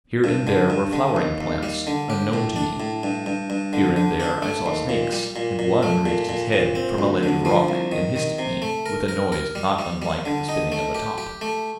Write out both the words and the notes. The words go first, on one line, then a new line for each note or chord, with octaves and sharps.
Here and there were flowering plants, unknown to me; here and there I saw snakes, and one raised his head from a ledge of rock and hissed at me with a noise not unlike the spinning of a top.
G2
D3
G2
D3
D#2
D#2
G3
D3
G4
A2
D4
A2
G2
G2
G2
D3
D3
D4
A3
D#2
A#2
G3
A#2
A#2
A3
A#2
A#2
A#2
C4
D2
D3
F3
C2
D#3
D#3
C3
A3
A#4
A#4
A#4
G3
G3
G3
D3
D#4
A3
G4
G4
A3